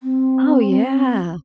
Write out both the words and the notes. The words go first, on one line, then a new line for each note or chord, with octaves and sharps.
Oh, yeah.
C4